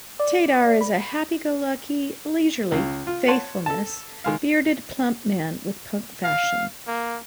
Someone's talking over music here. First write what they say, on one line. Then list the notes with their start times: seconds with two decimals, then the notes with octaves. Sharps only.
Taidar is a happy-go-lucky, leisurely, faithfulness, bearded plump man with punk fashion.
0.20 D5
0.81 B5
2.72 C#2 C#3
3.07 F4
3.27 C#5 F#5 A5 C6
3.66 A4 A5
4.24 D#3 G#3 F5
6.24 F5
6.87 A#3